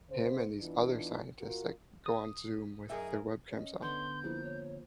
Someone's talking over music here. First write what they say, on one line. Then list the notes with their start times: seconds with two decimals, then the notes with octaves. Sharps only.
him and these other scientists, like, go on Zoom with their webcams on
0.10 C#3 B3 C5
0.60 E3 B3 D4 D#4 F4
1.39 F2 F4 F#4 A#4
2.06 D#6
2.90 F#2 D#4 G#4 A#4 E5
3.51 C#4 D#5
3.82 D3 B3 C6 G6
4.24 F3 A#3 E4 C5
4.43 C#5